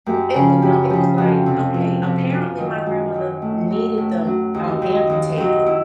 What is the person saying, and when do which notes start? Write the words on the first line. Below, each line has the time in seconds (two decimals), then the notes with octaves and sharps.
M It was no, it was like okay, apparently my grandmother needed them, um, amputated.
0.06 F#2 G4
0.34 C#3 F3 G#4
0.62 F#2 G4
0.90 C#3 F3 G4
1.18 F2 F#4
1.46 C3 F3
1.74 F2
2.02 C3 F3
2.30 F#2 F4
2.58 D#3 F#3
2.86 F#2
3.14 D#3 F#3
3.42 A2
3.71 F#3
3.98 A2
4.26 F#3
4.54 D#2 E4
4.82 D#3 F#3
5.10 D#2
5.37 D#3 F#3
5.66 E4